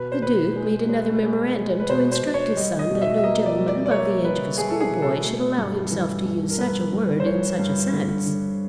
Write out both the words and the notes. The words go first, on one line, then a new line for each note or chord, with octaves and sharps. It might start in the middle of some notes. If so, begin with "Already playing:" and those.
The Duke made another memorandum to instruct his son that no gentleman above the age of a schoolboy should allow himself to use such a word in such a sense.
Already playing: B2 B4
C5
B2 B4
G#3
G#3
G#3
G#3
B4
B2 C5
C5
B2
C#5
G3 D#5
D#5
B2
E5
E5
A#3 D#5
D5
G3
D5
D5
A#3 C#5
G3 B4
G3 G#4
A4
G#4
B2
A4
A3
G2
E3
G2
A#4
G2 B4
G2
C5
E3 C#5
G2
D3
D3